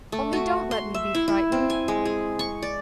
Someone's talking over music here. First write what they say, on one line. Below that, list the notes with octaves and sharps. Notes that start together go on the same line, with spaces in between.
"Only don't let me be frightened."
A3
F#4
C6
E5
E4
E4
C4
G#5
G#3
G#4
C#6
D5